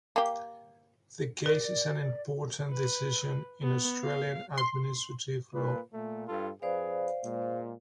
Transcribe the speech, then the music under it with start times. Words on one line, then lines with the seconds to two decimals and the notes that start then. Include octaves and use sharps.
The case is an important decision in Australian Administrative Law.
0.16 A#3 G4
1.46 A#4 D5
2.71 B4
3.62 B3
4.03 F5
4.58 C6
5.54 A#2 B4
5.93 A#2 A3
6.28 G2 F4 A4
6.62 F2 G#4 B4 C5 D5 F5
7.24 A#2 G#3